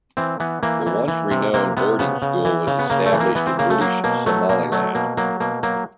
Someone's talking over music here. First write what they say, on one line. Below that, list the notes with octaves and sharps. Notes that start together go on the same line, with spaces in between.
The once-renowned boarding school was established in British Somaliland.
E3 C4
E3 B3
E3 A#3
E3
E3
C3
C3 A#3
C3 B3
C#3 B3
C#3
E3
C#3
B3
C#3 A#3
A3
E3
A#3
E3 B3
C4
C#3 A#3
A3
F#3 A#3
B2 A#3
F#3 A3
B2 A#3
F#3 A3
B2 A#3
F#3 A#3
B2 A#3
F#3 A#3